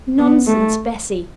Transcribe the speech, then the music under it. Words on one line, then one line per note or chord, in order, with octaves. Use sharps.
'Nonsense, Bessy!'
B3
A3